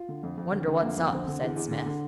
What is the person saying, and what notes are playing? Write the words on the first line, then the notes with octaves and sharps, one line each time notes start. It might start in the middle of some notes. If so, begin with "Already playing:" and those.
"Wonder what's up?" said Smith.
Already playing: F4
D3
F2
F2
D3
D3
F2 A#3
F2
D3 C4
D3
E2
E2
D3
D3